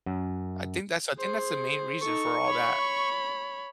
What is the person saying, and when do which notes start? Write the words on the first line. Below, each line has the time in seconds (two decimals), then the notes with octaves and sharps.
I think that's I think that's the main reason for all that.
0.06 F#2
1.18 G#4 C5
2.01 D#4 A4 C#6
2.46 C#5 B5